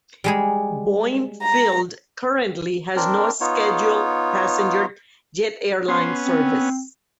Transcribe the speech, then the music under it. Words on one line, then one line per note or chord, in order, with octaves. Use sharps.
Boeing Field currently has no scheduled passenger jet airline service.
G3 G#3 G#4
A#5
C4 D4 A#4
B3 D#4 F4 C#5
B3 C#4 C6
C4